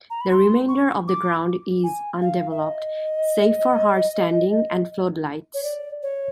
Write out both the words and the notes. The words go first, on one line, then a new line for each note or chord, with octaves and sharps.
The remainder of the ground is undeveloped, save for hard standing and floodlights.
A#5
B5
C6
C#6
D6
G#5
F5
E5
D#5
C#5
D5
C#5